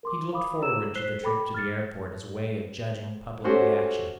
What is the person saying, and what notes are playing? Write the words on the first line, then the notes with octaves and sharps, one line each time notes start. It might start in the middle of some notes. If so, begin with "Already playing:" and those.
He'd looked forward to the trip to the airport as a way of judging public reaction.
A#4 C6 D6
F5 B5 D6 D#6
D4 F#4 A#5 E6 E7
C5 F#6 B6 C7 G7
A4 G5 B5 D6
F6 A6 C#7
A3 C#4 F#4 G4 C5